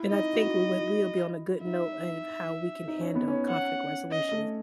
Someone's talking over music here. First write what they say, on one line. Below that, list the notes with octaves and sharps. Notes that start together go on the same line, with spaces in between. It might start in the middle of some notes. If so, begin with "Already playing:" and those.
and I think we would we would be on a good note of how we can handle conflict resolutions.
Already playing: E4
D#4 D#5
F#4
E4
D#4 E5
D#4
C#4
B3
C#4
F#5
D#5
A3